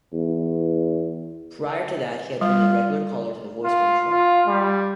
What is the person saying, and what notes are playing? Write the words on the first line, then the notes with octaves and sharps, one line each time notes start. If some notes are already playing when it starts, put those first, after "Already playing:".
Prior to that, he had been a regular caller to the voicemail show.
E2
G3 F4
F4
F4
G3